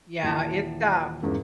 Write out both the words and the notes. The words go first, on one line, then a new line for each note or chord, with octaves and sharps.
Yeah, it's, uh
D#1 E3 A5
E2 G#2 C#3 A#3